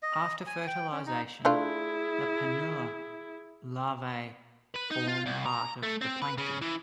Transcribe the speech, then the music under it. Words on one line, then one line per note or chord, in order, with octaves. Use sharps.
After fertilisation, the planula larvae form part of the plankton.
D#5
G#5
G5
C#4
D#4
A3 D4 E4 F4 G#4
B4
D#4
F4
C2
A#5
A3
C4
B4
C#3
E3